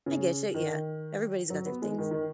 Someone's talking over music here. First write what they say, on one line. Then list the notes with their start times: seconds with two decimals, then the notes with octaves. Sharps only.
I get you, yeah. Everybody's got their things.
0.06 C#3
0.54 D#3
1.50 F#3
1.66 B3
1.82 G#3
1.98 D#3
2.11 D#3